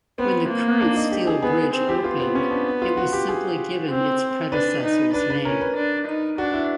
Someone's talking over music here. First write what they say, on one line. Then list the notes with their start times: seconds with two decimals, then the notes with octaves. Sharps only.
When the current Steel Bridge opened, it was simply given its predecessor's name.
0.18 B3 C4
0.50 A#3
0.81 D4
0.96 D#4
1.11 G4
1.27 G#4
1.42 B3 G#4
1.73 C4
1.89 G4
2.04 B3 F4
2.20 C4
2.35 C#4
2.51 D4
2.82 F4
2.97 F#4
3.13 G4
3.29 G#4
3.91 C4
4.52 D4 B4
4.83 D#4
5.14 D4 B4
5.30 B4
5.45 C#4 A#4
5.61 B4
5.76 D4
6.07 D#4
6.38 D4 F#4
6.54 E4